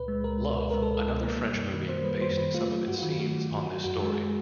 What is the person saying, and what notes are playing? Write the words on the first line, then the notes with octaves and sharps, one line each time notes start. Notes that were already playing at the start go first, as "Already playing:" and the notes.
"Love," another French movie, based some of its scenes on this story.
Already playing: C#2 A#2 B4
G#3
C#2 A#4
B2
C#2 B4
G#3 A#4
A4
C#2 A#4
B2
A#3
G3
F#2
D#3
A#3 C5
G3 B4
F#2 C5
D#3 B4
A3 F4
F#3
G2 F#4
D#3 F4
A3 F#4
F#3
G2
D#3
F#2 F#4
G#3 G#4